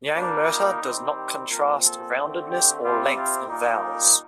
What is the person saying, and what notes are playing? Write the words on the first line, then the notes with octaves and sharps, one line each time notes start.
Nyangmurta does not contrast roundedness or length in vowels.
A#2 G3 A#3 D4
D#4
D#3 G3 C4
G4
A#2 F3 C4 A#4
A4
D3 A3 C4
G4
C3 G3 C4 F4
F4
A#2 G3 A#3 D#4